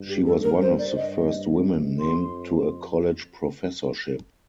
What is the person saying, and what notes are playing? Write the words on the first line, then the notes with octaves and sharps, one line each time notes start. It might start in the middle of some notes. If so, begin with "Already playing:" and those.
She was one of the first women named to a college professorship.
Already playing: G2
G4
A4
A#4
C5
D5
G2 D#5
F2 C6